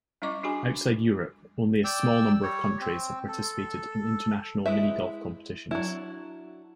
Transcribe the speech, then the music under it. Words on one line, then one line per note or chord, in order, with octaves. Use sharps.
Outside Europe only a small number of countries have participated in international minigolf competitions.
G3 C#4 E4 D#5 C#6 D6
D4 F#4 G#4 G#5 B5
D5 G5 E6
G3 C#5
C4
A4
G#3 E4 B4 E5
F#3 D4 E4